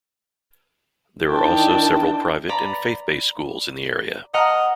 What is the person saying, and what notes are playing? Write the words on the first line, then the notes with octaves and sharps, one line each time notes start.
There are also several private and faith-based schools in the area.
D#3 D4 E4 G5 A5
D5 A#5 B5
D#5 F#5 A#5 F6